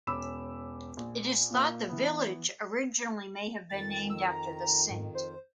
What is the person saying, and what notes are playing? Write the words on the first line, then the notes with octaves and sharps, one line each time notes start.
It is thought the village originally may have been named after the saint.
E1 C#4 B5 D6 E6 E7
A#1
A#2 A#3
E3 B3
F2 D#3 A6
E6
A#5
G#2
C5